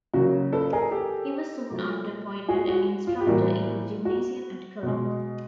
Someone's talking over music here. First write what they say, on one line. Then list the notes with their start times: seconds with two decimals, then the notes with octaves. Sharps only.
He was soon after appointed an instructor in the gymnasium at Cologne.
0.14 C#3 F#3 A#3 F#4
0.53 A4 B4
0.73 G#4 A#4
0.91 G4 A4
1.70 A#2 F#3 A3
2.48 F#4 G#4
2.68 F#4
3.07 F4
3.20 G4
3.26 A2 E3 G3 A#3 F#4
4.05 F#4
4.83 B2 G#3